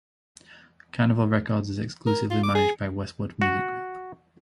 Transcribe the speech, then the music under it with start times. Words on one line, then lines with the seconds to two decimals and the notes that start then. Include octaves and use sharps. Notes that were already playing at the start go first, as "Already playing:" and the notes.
Carnival Records is exclusively managed by Westwood Music Group.
2.07 A#4
2.30 F4
2.43 D6
2.55 G#4
3.42 F#4 F#5